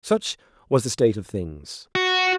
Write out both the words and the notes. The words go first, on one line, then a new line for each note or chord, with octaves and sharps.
Such was the state of things.
F#4